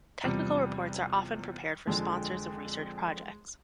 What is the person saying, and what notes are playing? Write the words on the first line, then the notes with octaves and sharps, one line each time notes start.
Technical reports are often prepared for sponsors of research projects.
E2 C3 F3 G3
F2 D3 F3 G#3